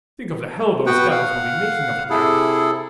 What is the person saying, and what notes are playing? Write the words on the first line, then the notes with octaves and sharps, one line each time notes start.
Think of the hell those devils will be making of it now!
B3 F#4 B4 F#5 G5
F5 F#5
C3 E4 G#4 A4